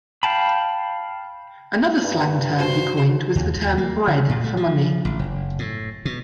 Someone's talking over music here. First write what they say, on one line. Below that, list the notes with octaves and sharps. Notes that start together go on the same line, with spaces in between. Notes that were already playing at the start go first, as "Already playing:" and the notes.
Another slang term he coined was the term "bread" for money.
F5 G5 A5 B5
G2
F#4 C5
D#2
D#2
A#3
D3
A#2
A3
F3
A1
F#1
A2
B2